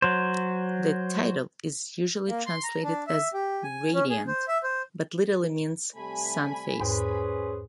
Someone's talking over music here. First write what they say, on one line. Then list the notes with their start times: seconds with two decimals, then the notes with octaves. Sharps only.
The title is usually translated as "radiant" but literally means "sun-faced".
0.02 F#3 C5
2.28 A#3
2.47 C6
2.64 A#5
2.83 D4
3.07 E5
3.34 G4
3.64 G#5
3.94 C#4
4.10 G#4
4.27 C5
4.48 E5
4.63 C5
5.96 C3 G3 A3 G#5 B5
6.80 E2 G#2 C#4 G#4 B4 C5